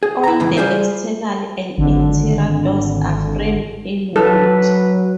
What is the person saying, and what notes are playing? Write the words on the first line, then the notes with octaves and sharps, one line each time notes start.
All the external and interior doors are framed in wood.
G#4
E4 A#5
F2 G#2 C#3 E3
G3 F4 G#4 C5 E5
G#1 D3
F#3 A4 B4